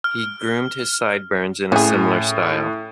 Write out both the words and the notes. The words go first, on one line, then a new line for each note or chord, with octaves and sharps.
He groomed his sideburns in a similar style.
F6
A2 C#4 G#4